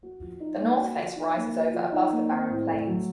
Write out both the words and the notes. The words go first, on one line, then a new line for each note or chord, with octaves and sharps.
The north face rises over above the barren plains.
F#4
F3
D#4
A#3
F#4
F3
D#4
A#3
F#4
F3
D#4
A#3
C4
A2
A3
F#3